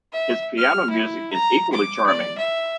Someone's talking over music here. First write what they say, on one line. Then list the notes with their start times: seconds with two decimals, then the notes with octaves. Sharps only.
His piano music is equally charming.
0.13 E5
0.58 F6
0.90 E4
1.33 A#5
1.73 D6
2.07 D5
2.38 E5